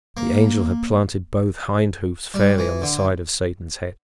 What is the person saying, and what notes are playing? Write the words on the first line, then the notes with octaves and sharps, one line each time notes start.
The Angel had planted both hind hoofs fairly on the side of Satan's head.
A#3
G3
E3
D3